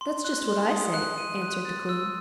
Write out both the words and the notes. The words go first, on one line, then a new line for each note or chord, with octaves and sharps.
"That's just what I say," answered the queen.
C6
F#6
C6
D#6
F#6
D#7
F#6
A6
E6